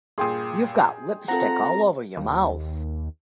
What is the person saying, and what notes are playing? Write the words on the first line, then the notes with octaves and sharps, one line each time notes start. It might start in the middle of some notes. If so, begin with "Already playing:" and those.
You've got lipstick all over your mouth.
G2 A#2 G#4 G5 C6 D#6
C4 F4 A4 F#5 A#5
D#2